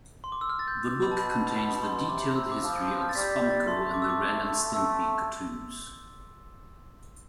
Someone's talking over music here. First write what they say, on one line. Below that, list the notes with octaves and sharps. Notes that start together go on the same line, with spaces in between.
The book contains the detailed history of Spumco and the Ren and Stimpy cartoons.
C6
D6
E6
F6
A6
G6
D6
B2 B5
A5
B5
A5
B5
B5
C6
C6
C3 D6
E6
D6
F3 E6
G6
F6
A6
G3 B6
B6
A6
A3 C6
D6
E6
D6
A3 E6